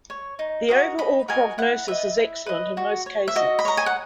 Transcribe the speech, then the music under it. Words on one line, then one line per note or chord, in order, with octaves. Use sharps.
The overall prognosis is excellent in most cases.
C#5
D#4
F#4 A#4 D#5
D#4 B5
F#4 A#4 D#5 G#5
E4 F#5
B4 D#5 E5
E4
B4 D#5
F#4
C#5
E5
F#4 D#5
B5
C#5 A#5
G#5
F#5